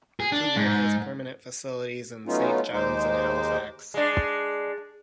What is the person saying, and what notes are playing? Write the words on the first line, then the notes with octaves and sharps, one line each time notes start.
Cougar has permanent facilities in Saint John's and Halifax.
G#4
D4
G#2
F#3 A3 B3 C#4 D#4 F4
D#2 G#3 D#4 C5 D6
G#3 D4